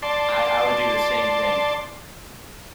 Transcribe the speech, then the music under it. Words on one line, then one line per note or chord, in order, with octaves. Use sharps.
I I would do the same thing.
D5 A5 C6